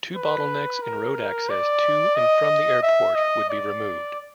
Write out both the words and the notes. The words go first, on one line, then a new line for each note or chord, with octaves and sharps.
Two bottlenecks in road access to and from the airport would be removed.
B4
A#4
D5
D#5
E5
D#5
D5